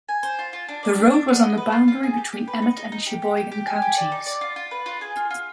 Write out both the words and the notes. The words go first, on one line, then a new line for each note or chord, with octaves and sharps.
The road was on the boundary between Emmet and Cheboygan counties.
G#5
C5
F4
F4
D4
D5
D4
D4
B3
D#5
B4
F4
F4
G#4
G4
G4
B4
D#4
D#4
D#4
G4
G4
G4
G4
G#5
G4
D5
D#4
D5
F4
F4
B4
F4
G#4
F4
F4